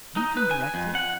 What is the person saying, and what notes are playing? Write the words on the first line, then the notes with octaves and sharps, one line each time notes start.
Can you come directly?'
D#4
B4
G#5
F2
F#5